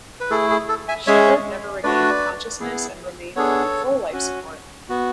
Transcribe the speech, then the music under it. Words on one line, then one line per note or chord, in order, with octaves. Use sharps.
Shepard never regained consciousness and remained on full life support.
B4
A3 E4 G#4 A4
G#4
A4
E5 G#5
G#3 C#4 G#4 C#5 E5
A3 D4 F#4 B4 D5
B3 E4 G#4
B3 D4 G#4 A4 C#5
C#4 F#4
B3 F#4